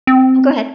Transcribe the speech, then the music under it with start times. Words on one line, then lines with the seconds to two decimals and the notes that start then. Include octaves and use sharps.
Oh, go ahead.
0.07 C4